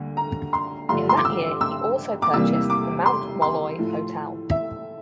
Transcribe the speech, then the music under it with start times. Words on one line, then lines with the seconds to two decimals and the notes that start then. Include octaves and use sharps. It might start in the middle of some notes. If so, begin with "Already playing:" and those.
In that year he also purchased the Mount Molloy Hotel.
Already playing: D2 D3 G3 A#3
0.17 A#5
0.53 C6
0.89 G2 D3 F3 A3 C6
1.09 C6
1.17 D6
1.25 E6
1.61 E6
2.22 D6
2.33 E2 C3 E3 G3 A#3 E6
2.70 D6
3.06 C6
3.42 C6
3.78 A2 F3 A3
4.51 E5